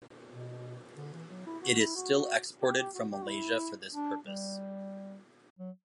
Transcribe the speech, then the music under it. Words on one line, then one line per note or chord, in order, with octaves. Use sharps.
It is still exported from Malaysia for this purpose.
B2
D3
E3
F#3
E4
F#4
E4
F#4
G4
G4
F#4
G4
F#4
E4
D4
G3
F#3